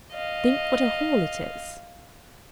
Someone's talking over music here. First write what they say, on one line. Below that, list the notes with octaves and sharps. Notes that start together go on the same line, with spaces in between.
Think what a haul it is!'
D#5 F5